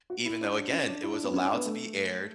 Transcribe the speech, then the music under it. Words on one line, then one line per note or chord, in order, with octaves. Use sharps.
even though, again, it was allowed to be aired,
F#4
E4
D4
D4
C#4
D4
E4
D4
B3
C#4
D4
B3
A3